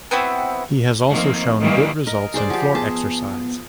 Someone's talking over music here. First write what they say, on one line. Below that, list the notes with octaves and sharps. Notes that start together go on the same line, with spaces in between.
He has also shown good results in floor exercise.
B3 C4 E4 F#4
D#3 F3 A3 A#3 C4
D#3 E3 G3 A#3
A#4 D#5
G#4 C5 D5
F3 G4 F#5
B3 G#4 A5